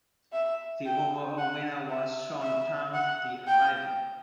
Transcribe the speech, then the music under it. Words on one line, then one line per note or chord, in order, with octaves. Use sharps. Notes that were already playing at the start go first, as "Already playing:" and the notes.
The overall winner was Shaun Tan's "The Arrival".
E5
G5
F#5
E5
E5
F#5
G5